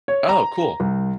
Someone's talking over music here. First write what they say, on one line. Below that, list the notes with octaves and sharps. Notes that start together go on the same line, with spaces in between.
Oh, cool.
C#5
A#5
C2